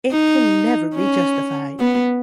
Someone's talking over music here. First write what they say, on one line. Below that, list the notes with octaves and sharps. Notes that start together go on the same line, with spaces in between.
It can never be justified.
D#4
C#4
B3